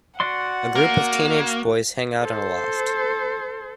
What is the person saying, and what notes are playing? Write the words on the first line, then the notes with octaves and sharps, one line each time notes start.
A group of teenage boys hang out in a loft.
F#4 D5 F#5 C6
A#3
A4 C5